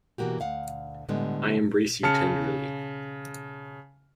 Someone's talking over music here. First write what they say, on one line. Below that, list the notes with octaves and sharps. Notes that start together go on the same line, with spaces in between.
I embrace you tenderly.
B2 E3 A#3 F#4 G4
D2 F5 F#5
A2 D3 G3 G#3 B3
C#3 A5 F6 C#7